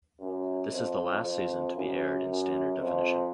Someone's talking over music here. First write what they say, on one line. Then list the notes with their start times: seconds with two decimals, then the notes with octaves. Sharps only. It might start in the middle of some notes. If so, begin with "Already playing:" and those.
This is the last season to be aired in standard definition.
0.20 F#2
0.72 F2
1.23 F2
1.75 F#2
2.27 F#2
2.80 F2